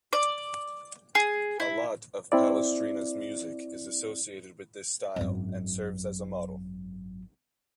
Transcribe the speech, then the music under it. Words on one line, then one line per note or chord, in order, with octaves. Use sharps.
A lot of Palestrina’s music is associated with this style and serves as a model.
D5
G#4
E4
C4 E4 D5
G#1 F#2